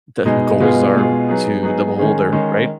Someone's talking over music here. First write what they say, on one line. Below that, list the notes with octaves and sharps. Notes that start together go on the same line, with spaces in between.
the goals are to the beholder. Right?
B2 G#3 D#4 G#4
B2 G#3 B3 F4 G#4
B2 G#3 B3 F4 G#4
F#3 B3 D#4 G#4
F#3 B3 D#4 G#4
D#3 G#3 C#4 G#4
D#3 G#3 C#4 G#4